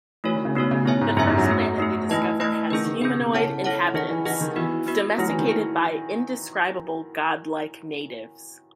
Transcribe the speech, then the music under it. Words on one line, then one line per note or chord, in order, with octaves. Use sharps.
The first planet they discover has humanoid inhabitants domesticated by indescribable godlike natives.
E3 A3 D#4 F#4 C#5
D#3
C#3
B2 A3 D#4 F#4 C#5
C#3
B2 E4 G#4 C#5 E5 G#5
G#2
F#2 E4 G#4 C#5 E5 G#5
G#2
F#3
A3 D#4 G#4
A3 D#4 G#4
E3 A3 E4 B4 D#5 A5
A3 E4 B4 D#5 A5
D#3 C#4 G#4 B4
D#3
C#3 C#4 G#4 B4
B2
C#3 E4 A4 C#5 F#5 A5
E4 A4 C#5 F#5 A5
D#3 E4 G#4 D#5 F#5
E3
E3 E4 G#4 D#5 F#5
D#3
E3 B3 F#4 B4
B3 F#4 B4
F#3 A3 E4 G#4
E3
D#3
E4 G#4